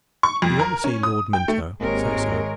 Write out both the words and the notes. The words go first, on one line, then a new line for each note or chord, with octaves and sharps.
If you ever see Lord Minto, say so.
C#6
F2
A#4
C#4
D#6
G5
A3
G#1 G#3 A#3 C4 G4 G#4 A#4 C#5